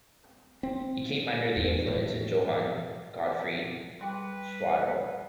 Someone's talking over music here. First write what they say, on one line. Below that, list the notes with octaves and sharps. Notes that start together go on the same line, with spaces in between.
He came under the influence of Johann Gottfried Schadow.
C4
E2
A2
G3 G#4 B4 G5 C6